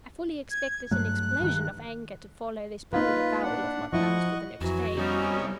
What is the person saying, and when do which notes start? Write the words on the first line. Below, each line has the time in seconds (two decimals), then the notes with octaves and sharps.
I fully expected an explosion of anger to follow this bold avowal of my plans for the next day.
0.51 G#6
0.91 G2 F#3 A3 F#6
1.40 G2 D#3
2.93 A#3 D#4 F4 B4
3.43 D4 F#5
3.93 F3 E4 D#5 F#5 C#6
4.61 F2 E3 F#3 F#4
4.97 C2 G3 B3 C#4 D#4